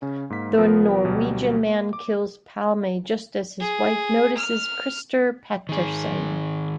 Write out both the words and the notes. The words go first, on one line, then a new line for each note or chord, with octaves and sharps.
The Norwegian man kills Palme just as his wife notices Christer Pettersson.
C#3 C#4
G#2 A#3 B6
C2 F3 B3 A#4
D2 B2 F#3 G3
A#3
D6
G#4
F6
D#3 G#4